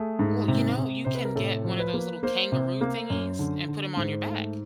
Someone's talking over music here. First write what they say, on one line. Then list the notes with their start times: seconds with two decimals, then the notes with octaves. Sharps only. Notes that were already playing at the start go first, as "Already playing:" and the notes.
Well, you know, you can get one of those little kangaroo thingies and put him on your back.
Already playing: A3 G#4
0.19 G#2
0.48 C3
0.77 C3
1.05 C3 C5
1.15 B4
1.25 A#4
1.35 A2 A4
1.65 F3
1.79 B4
1.94 A#3
2.23 A#3 C5
2.52 C3
2.81 A#3
3.10 F#2
3.39 D3
3.68 D3
3.97 G#2 C5
4.26 A3